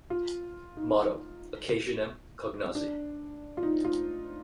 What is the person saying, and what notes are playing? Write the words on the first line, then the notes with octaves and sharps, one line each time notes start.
Motto: Occasionem Cognosce.
F4
D#4
D4
F4
D#4
F4